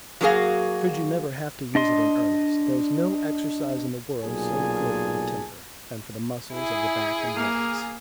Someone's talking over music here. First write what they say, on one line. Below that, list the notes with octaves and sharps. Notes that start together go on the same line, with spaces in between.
Should you never have to use it in earnest there's no exercise in the world so good for the temper, and for the muscles of the back and legs.
F#3 A#3 C#4 F#4 G#4 F5
D4 D#5 C6
B1 A#2 G#4 G#5 A5
E4 G#4
A#3 F5